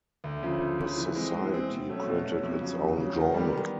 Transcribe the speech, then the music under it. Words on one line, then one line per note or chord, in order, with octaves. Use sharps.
The society printed its own journal.
D2
C#3 F3
D2
C#3 F3
E3
G#3 C4
E3
G#3 C4
B2
F#3 A3 C#4
B2
F#3 A3 C#4
F2
C#3 F#3
F2
C#3 F#3
D#3
G3 B3
D#3